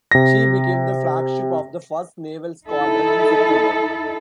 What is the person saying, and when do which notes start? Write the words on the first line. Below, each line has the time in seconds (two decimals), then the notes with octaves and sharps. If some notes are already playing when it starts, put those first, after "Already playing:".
She became the flagship of the First Naval Squadron in September.
0.12 C3 A#6
2.68 D#4 E4 A4